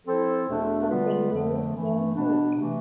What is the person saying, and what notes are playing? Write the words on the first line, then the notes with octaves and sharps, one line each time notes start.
Something new and unique.
F3 C4 E4 A4 C5
E2 B2 A3 D4 A4
D3 G3 B3 F4 B4
F2 D3 F3 A3
G2 E3 A3
B2 B3 D4
C3 E3 A3